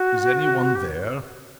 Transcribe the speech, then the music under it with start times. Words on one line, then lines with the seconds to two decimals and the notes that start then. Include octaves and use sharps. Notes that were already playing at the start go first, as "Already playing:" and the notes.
"Is any one there?"
Already playing: F#4
0.75 G4